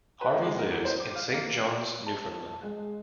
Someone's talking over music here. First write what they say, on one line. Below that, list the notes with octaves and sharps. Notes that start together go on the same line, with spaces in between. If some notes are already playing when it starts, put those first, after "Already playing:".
Harvey lives in Saint John's, Newfoundland.
B4
C#2
G#3
A#4
E2
C5
D6
F5
A#3
A5
G#3